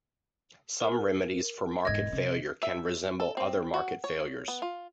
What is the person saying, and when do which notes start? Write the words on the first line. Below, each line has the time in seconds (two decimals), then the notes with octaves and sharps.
Some remedies for market failure can resemble other market failures.
0.80 A#4
1.85 E1 G#2 D#5 G#6
2.12 C3
2.63 E5
3.20 A4
3.37 C4
3.74 F#4
4.04 C#5
4.48 B3
4.62 F4